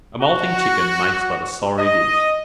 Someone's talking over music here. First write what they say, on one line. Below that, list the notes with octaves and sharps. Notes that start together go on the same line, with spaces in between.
A moulting chicken makes but a sorry dish.
F#4
D#5